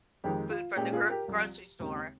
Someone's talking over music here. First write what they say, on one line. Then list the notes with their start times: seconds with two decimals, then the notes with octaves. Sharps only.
food from the gr grocery store
0.24 F2 D#3 G#3 D#4 G4
0.50 F4
0.76 A#2 G#3 C#4 G4
0.93 F4 G#4
1.10 G4 A#4
1.28 C2 C3 F3
1.80 D#2 C#3 G#3 C4 D#4